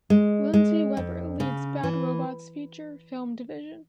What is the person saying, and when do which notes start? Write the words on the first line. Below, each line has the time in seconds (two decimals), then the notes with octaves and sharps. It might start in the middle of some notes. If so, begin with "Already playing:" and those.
Lindsey Weber leads Bad Robot's feature film division.
0.10 G#3
0.54 G#3
0.97 F2
1.40 C#3
1.83 E3